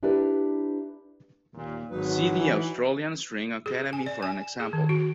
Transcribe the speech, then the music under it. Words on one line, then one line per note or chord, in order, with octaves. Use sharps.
See the Australian String Academy for an example.
D4 E4 G4 A#4 B4 D5
D#2 A#2
G#1 F#3 D#4 B4
E3
G#4
G#5
D5
G#5
G#4
D#3
F#4